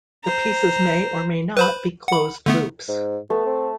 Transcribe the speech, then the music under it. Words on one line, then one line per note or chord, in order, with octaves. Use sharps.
The pieces may or may not be closed loops.
C5 A#5
B4 C5 B5
F#5 B5
D3 A3 B3
G#2
A3 B3
C4